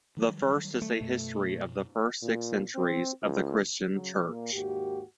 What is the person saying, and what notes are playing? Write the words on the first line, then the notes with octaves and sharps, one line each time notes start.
The first is a history of the first six centuries of the Christian Church.
D#3 F#3 G3
A3
F#2 B2
A#2
C4
C#2
C#3 F#3 F#4
A#2
D#2 G#2 A#3 F#4 G4